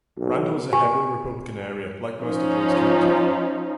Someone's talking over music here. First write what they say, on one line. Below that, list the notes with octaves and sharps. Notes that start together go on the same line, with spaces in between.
Randle is a heavily Republican area, like most of Lewis County.
B1
G4 G#5
F3 C#4 D#4